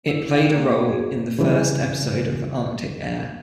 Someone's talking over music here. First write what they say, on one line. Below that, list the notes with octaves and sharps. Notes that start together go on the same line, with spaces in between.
It played a role in the first episode of "Arctic Air".
E4
F5 G5
A#3 G5
C#5
G#4
C#3 E3 G3